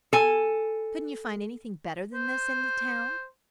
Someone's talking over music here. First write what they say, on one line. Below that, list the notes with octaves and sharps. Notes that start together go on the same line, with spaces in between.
Couldn't you find anything better than this in the town?
A4 G#5
C5